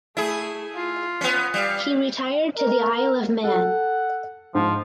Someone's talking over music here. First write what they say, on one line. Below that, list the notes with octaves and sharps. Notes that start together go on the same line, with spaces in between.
He retired to the Isle of Man.
A3 E4 G#4
F4
B3 C#4
G3 F5
A#4
A4 F#5
G#2 F3